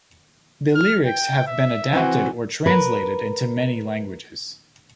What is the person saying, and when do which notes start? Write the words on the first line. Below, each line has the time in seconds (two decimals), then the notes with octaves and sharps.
The lyrics have been adapted or translated into many languages.
0.75 F6
1.06 G5
1.47 E5
1.93 E3 C4 F#4
2.66 A#4 B4